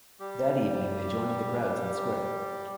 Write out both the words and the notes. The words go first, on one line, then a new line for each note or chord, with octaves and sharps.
That evening, they joined the crowds in the square.
G3 G4